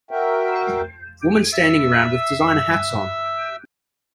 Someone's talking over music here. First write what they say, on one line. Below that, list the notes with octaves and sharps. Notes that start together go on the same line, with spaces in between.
Woman standing around with designer hats on.
F#4 A#4 E5 G5
E5 E6